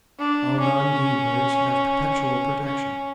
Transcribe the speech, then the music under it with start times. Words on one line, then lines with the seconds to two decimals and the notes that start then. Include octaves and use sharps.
All non-game birds should have perpetual protection.
0.19 D4
0.59 C#4
2.65 C#4